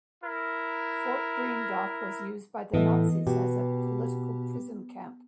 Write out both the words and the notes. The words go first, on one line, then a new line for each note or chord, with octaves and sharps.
Fort Breendonk was used by the Nazis as a political prison camp.
E4 A#4
A2 E3 A3 B3 D#5
B2 G4